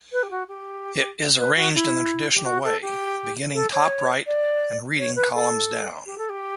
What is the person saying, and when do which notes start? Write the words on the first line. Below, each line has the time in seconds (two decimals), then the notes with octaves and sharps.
It is arranged in the traditional way, beginning top right and reading columns down.
0.12 B4
0.23 G4
0.30 F#4
0.48 G4
1.38 B4
1.56 F#4
1.74 E4
2.35 G4
2.46 F#4
2.64 A4
2.82 G4
3.54 A4
3.73 C#5
4.26 D5
4.98 C#5
5.16 B4
5.34 A4
6.06 G4
6.18 A4
6.29 G4